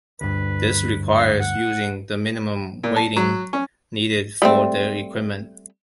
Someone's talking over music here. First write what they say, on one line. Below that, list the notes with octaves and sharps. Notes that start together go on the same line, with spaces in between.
This requires using the minimum weighting needed for their equipment.
D2 G2 B4
F#5
A#2
A5
F#3
C#4
G3 A3 C4